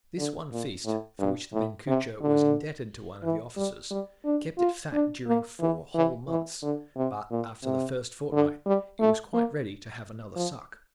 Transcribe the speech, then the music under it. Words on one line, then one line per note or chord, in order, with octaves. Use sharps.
This one feast, for which the benchuca was indebted to one of the officers, kept it fat during four whole months; but, after the first fortnight, it was quite ready to have another suck.
D3
A#2
A2
G2
A2
C3
D3
E3
G3
G3
D4
F4
D4
A#3
E3
E3
E3
D3
C3
A#2
C3
D3
G3
A3
A#3
F3